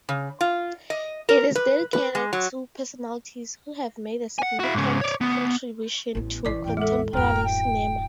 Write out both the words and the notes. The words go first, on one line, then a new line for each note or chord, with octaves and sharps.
It is dedicated to personalities who have made a significant contribution to contemporary cinema.
C#3
F4
D#5
A#4
B4
B4
G#3
F#3
F#5 G#5
E4 F#4
G#2 C#3
C#5 D5
D2 B3
A1 B3
A1 E3 E4 D5 D6
A1 E2 G5
G#3 A4 E5 F#5 D6
D1 F#2 G5 A#5 F6
G5